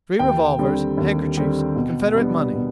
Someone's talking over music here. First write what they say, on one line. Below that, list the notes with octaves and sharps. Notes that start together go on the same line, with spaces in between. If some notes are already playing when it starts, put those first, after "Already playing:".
Three revolvers, handkerchiefs, Confederate money....
D#2 G5
D3 G3 C4
D#2
D3 G3 C4
B2
G3 B3 D4
B2